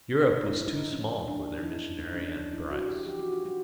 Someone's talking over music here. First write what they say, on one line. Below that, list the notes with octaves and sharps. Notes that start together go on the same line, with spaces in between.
Europe was too small for their missionary enterprise.
D4
F3 D#4
E4
G#3
D#4
F3 C#4
G#3 D4
D#4
D#3 E4
G#3 D#4
D4
C#4
D4
F3 D#4
E4
G#3 F#4
G4
E3 G4
F#4
F4
G3 F#4